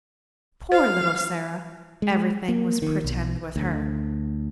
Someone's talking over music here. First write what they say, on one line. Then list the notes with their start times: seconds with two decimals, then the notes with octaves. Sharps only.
Poor little Sara! everything was "pretend" with her.
0.72 C5 F5
2.02 G#3
2.49 A#3
2.82 D#3
3.04 B1
3.56 D2